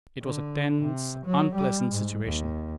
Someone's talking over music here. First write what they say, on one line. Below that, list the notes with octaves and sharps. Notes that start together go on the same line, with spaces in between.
It was a tense, unpleasant situation.
D3
C3
F#3
G3
G#2
D#2